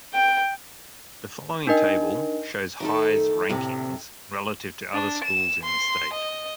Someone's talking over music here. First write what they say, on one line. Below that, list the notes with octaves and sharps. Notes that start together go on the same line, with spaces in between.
The following table shows High's rankings relative to other schools in the state.
G5
D4 D#4 A#4 D#5
D#3 A3 A4
D2 A2 C3
D4
E7
C6
D#5